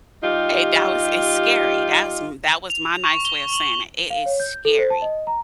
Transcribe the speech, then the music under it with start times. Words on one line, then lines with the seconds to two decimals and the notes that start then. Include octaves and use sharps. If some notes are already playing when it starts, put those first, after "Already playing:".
Hey, that was it's scary. That's sm that was my nice way of saying it, it is scary.
0.23 G3 D#4 F4 G4
2.70 F7
3.04 C#6
3.25 G7
3.53 F#7
3.99 F7
4.10 F5
4.26 C#5
4.40 G6
4.65 A4
4.78 C5
4.90 A5
5.02 D#5
5.27 A#5